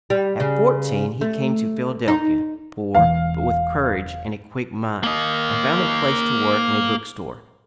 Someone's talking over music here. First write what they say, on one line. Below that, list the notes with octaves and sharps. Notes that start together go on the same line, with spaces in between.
At fourteen he came to Philadelphia, poor, but with courage and a quick mind, and found a place to work in a bookstore.
G3
C#3
A3
D#4
E1 E3 F5
A#3 D#5